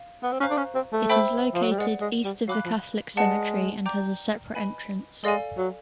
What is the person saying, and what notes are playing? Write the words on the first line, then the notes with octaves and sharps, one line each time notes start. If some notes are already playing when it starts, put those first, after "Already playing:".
It is located east of the Catholic cemetery and has a separate entrance.
Already playing: F5
B3
C4
C#4 C5 F5 A#5 C#6 F#6
D4
C#4
C4
A3
C5 E5 G5 B5 E6
F3
F#3
G3
G#3 G#4 B4 D5 F#5
G#3
G3
F#3 F5 G#5 B5 D6 F#6
F3
G#3 B4 D5 F#5 A5
D5 G5 A#5 D6 G6
B4 D#5 G#5 B5
G#3 A4 D5 F5 G#5
F#3